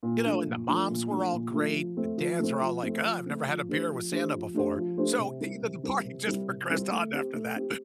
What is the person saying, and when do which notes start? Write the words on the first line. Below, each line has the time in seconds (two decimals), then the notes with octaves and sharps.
You know, and the moms were all great, the dads are all like, "Oh, I've never had a beer with Santa before." So, the, you know, the party just progressed on after that,
0.03 A#2
0.25 F3 A3 D4
0.46 A#2
0.68 F3 A3 D4
0.89 A#2
1.10 F3 A3 D4
1.32 A#2
1.53 F3 A3 D4
1.75 F3
1.97 A3 C4
2.18 F3
2.39 A3 C4
2.61 F3
2.83 A3 C4
3.04 F3
3.26 A3 C4
3.47 F3
3.69 A3 D4 G4 C5
3.90 F3
4.11 A3 D4 G4 C5
4.33 F3
4.54 A3 D4 G4 C5
4.76 F3
4.97 A3 D4 G4 C5
5.19 C3
5.41 G3 C4 E4 A#4
5.62 C3
5.83 G3 C4 E4 A#4
6.05 C3
6.27 G3 C4 E4 A#4
6.48 C3
6.70 G3 C4 E4 A#4
6.91 A3
7.13 C4 G4
7.34 A3
7.56 C4 G4